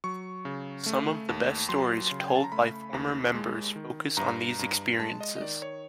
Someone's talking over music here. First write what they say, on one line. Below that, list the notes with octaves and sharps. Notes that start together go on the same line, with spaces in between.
Some of the best stories told by former members focus on these experiences.
F#3 C#6
C#3
A3
D#2
F#3 C6
C#3
G5
G#5
A5
A#5
A3 B5
D#2
G#3
D#3
G2 A#5
G2
G#3 A5
D#5
D#5
D#3 D5
C#5